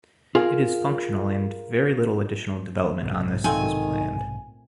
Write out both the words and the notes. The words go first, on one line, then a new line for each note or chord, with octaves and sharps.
It is functional and very little additional development on this is planned.
F4 G#4 A#4 F5
B1 G#2 C3
A#2 D#3 A3 C4 G#5